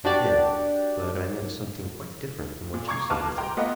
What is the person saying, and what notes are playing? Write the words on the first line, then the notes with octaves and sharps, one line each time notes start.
"I did; but I meant something quite different from what you seem to think."
D4 F#4 G4 D5
A#2
A#5 C#6 D6 G#6 C7
F4 F#4 B4 A5 D6 F6
G5 A#5 C6 D6
A3 B3 F4 B4 D#5 F#5